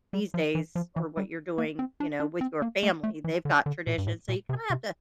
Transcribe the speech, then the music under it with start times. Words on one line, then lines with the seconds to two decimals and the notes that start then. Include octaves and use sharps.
these days or what you're doing, you know, with your family. They've got traditions, so you kinda have to
0.13 G3
0.34 F3
0.55 E3
0.75 F3
0.96 E3
1.17 G3
1.58 A#3
1.79 C4
2.00 D4
2.20 D4
2.41 C4
2.62 A#3
2.83 A3
3.03 A3
3.24 E3
3.45 D3
3.66 D3
3.87 A#2
3.98 G2
4.07 A2
4.29 A#2
4.49 C3
4.70 C3